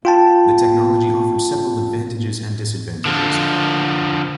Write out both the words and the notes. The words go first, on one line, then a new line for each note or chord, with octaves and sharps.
The technology offered several advantages and disadvantages.
F4 G5 A5
D3 F3